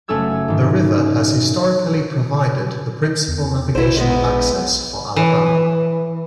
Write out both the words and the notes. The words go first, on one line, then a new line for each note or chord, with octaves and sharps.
The river has historically provided the principal navigational access for Alabama.
F#1 A3 C#4 A4 E6 G#6
G#2 D#3
E2
A#1 E4 C5
G#2 G#3 B3
E3